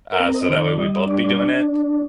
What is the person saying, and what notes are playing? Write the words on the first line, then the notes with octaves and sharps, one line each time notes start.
uh, so that way we'd both be doing it,
A#4
C4
D#5
D#3 C5
D5
G3 D#5
D5
D4
D5
D4